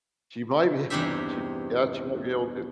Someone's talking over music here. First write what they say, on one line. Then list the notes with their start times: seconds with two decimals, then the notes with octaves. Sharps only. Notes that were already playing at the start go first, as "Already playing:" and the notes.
She might be she yeah, she might be able to.
0.90 E2 G2 C3 D#4 G4 E5